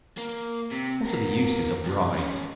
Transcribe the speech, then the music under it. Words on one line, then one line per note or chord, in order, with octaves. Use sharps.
What are the uses of Rye?
A#3
C3
B3 A#4
C2
G#2 C#4